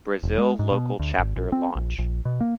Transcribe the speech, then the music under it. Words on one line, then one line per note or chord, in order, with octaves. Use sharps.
Brazil Local Chapter launch.
E1
G#3
G#2
B2
D2
G#1
A#1
C4
A#1
A#1
B2
A#3